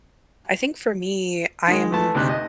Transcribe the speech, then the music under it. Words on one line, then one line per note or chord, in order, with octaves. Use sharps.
I think for me, I am
D#3 G#3
E3 A3 A5
D2 C3 D#4 F#6
D#5